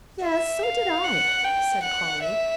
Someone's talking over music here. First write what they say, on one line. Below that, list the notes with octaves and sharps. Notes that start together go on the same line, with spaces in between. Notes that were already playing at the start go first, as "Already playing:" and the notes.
"Yes, so did I," said Polly.
E5
F5
F#5
G5
F#5
E5